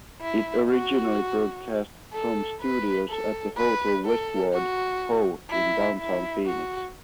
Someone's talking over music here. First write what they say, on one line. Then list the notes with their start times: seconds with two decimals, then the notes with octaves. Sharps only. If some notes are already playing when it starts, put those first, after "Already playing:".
It originally broadcast from studios at the Hotel Westward Ho in downtown Phoenix.
0.21 E4
0.69 F#4
2.13 A4
2.61 B4
3.09 A4
3.57 B4
4.05 A4
4.53 F#4
5.50 E4
5.97 E4
6.46 F#4